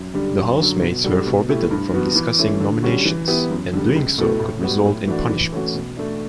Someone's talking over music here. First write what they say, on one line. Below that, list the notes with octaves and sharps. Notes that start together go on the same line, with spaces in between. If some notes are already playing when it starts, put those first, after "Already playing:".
The housemates were forbidden from discussing nominations, and doing so could result in punishment.
Already playing: F#2
D3 G3 D4 G4
F#2
D3 F#3
B2
G3 D4 F#4 A4
B2
A3 E4 G4
G2
E3 B3 F#4
E3
A3 C#4 E4
D3
G3 C#4 F#4
E3
B3 E4 G4
F#2
D3 G3
C#2
B2 A3 E4 A4
A2
G3 B3 F#4
A2
E3 A3 D4 F#4
E3
A3 C#4 F#4
B2
A3 D4